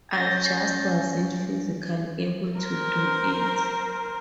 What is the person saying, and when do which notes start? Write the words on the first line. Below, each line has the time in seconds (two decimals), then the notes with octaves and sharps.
I just wasn't physically able to do it.
0.13 C#4 G6 A6 A#6
2.60 A#4 C5